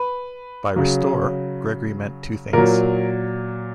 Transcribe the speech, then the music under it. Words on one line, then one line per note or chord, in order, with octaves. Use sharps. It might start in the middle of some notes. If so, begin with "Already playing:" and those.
By "restore", Gregory meant two things.
Already playing: B4
C#3 F#3
A#2 F#3 A#4